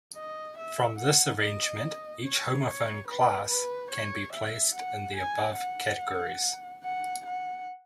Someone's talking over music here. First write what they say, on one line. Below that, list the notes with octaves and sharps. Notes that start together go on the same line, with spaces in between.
From this arrangement, each homophone class can be placed in the above categories.
D#5
E5
F#5
D#5
C#5
C#5
B4
B4
C#5
E5
F#5
G#5
F#5
F#5
F#5